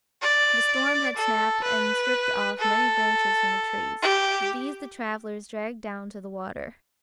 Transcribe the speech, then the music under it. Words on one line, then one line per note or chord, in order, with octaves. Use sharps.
The storm had snapped and stripped off many branches from the trees. These the travellers dragged down to the water.
D5
A4
B4
A4
G4